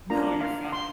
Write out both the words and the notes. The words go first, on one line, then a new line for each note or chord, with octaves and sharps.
No, you're fine.
D4 F4 A#4 A#5
F5
C6